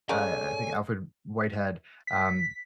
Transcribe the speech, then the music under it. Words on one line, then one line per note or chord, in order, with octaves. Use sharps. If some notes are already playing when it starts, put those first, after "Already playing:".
uh, I think, Alfred Whitehead, um,
C#3 G#3 A4 A#4 C#5 D5 G#5
B6